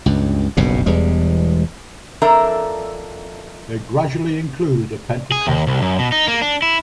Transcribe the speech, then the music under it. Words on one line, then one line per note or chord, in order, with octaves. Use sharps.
They gradually included a pentecostal emphasis.
C#2 G2
F#1 B1 G2 B2
E1 E2 G3 G#3
F2 D4 A4 A#4 E5 A#5
G#4
D#2
C2
F#2
B2
D#4
A#3
D4
E4